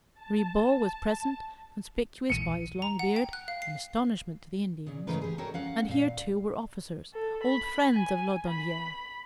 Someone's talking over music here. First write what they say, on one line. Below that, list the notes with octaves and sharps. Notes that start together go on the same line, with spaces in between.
Ribaut was present, conspicuous by his long beard, an astonishment to the Indians; and here, too, were officers, old friends of Laudonniere.
A5
E1 A#1 E2 C#7 D#7
A#5
F#5
G5
F#6
F5
C7
A#2 C#3
G#2 C#3 E3 A3 A#4 B4
G4 G#4
F#4 A4 A#4 C#5 G5
C#4 F5 F#5
A#2 F5
A4
B5
G#5
B5